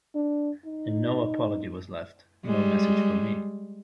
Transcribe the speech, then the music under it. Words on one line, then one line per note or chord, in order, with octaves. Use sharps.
And no apology was left, no message for me.
D4
D#4
G3 G#3